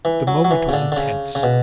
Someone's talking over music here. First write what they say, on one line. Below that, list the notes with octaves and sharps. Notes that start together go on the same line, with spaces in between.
The moment was intense.
E3
F#3
F#3
E3
C#3
D3
D3
C#3
C#3
B2